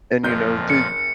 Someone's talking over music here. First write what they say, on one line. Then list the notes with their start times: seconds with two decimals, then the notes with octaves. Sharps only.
and, you know, the eh,
0.23 F#1 F2 A#2 F3 G6
0.70 C#7